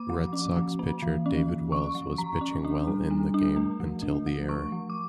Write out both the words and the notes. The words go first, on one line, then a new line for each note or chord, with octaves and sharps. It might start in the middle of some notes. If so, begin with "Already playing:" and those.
Red Sox pitcher David Wells was pitching well in the game until the error.
Already playing: A#3 D6
F3
C#4
F3
A#3
E3
C#4
E3
C#4 C#6
F3
F3 A#5
C#4
D4
G3
G3
D4
A3
F3
D4
F3
A3 C#6
F3
D6